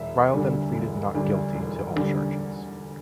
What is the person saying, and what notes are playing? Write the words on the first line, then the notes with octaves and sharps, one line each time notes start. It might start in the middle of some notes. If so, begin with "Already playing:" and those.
Riel then pleaded not guilty to all charges.
Already playing: E1 E5
D2 D3 G3
E1
D2 D3 G3
E1
D2 D3 G3